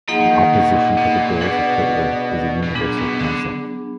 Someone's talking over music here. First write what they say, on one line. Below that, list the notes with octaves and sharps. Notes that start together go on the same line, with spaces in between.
Opposition to the goals of Hitler is a universal concept.
F3 A#3 D#4 G#4 D#5 F#5
F3
D#3
B2
A#2
B2
A#2
B2 D4 G#4 B4 D5 F#5
B2
A#2 F#3 B3 D4 G#4
B2
D3